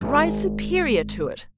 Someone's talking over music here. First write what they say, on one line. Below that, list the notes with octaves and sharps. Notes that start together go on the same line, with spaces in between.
Rise superior to it.
G#1